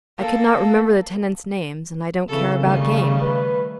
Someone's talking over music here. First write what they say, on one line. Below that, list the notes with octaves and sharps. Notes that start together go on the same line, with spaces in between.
I could not remember the tenants' names, and I don't care about game.
A#3 A4
C#3 E3 C4 A4
D#3 G3 A3
B4